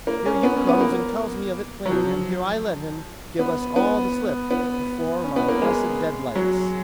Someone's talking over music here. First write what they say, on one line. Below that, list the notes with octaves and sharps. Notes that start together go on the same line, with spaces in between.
Here you comes and tells me of it plain; and here I let him give us all the slip before my blessed deadlights!
A#3
C#4
B3
C#4
B3
A#3
F#3
F3
B3
B3
B3
C#4
B3
A#3
G#3
F#3